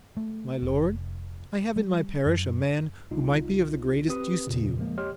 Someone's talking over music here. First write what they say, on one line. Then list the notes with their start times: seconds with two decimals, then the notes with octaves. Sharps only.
"My lord, I have in my parish a man who might be of the greatest use to you."
0.17 A3
0.62 F1
1.76 G3
2.26 F#2
3.11 C2 D#4 F4
4.09 C4 G4 B4 D#6
4.47 E2 A#2 C#3
4.78 F3 G#3 A#3
4.98 G4 C#5 D#5 C6 F6